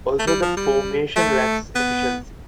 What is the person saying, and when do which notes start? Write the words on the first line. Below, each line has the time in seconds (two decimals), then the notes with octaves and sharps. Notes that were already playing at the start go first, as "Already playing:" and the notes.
Also the formation lacks efficiency.
0.19 A3
0.27 G3
0.42 F3
0.57 G3
1.16 A3
1.75 B3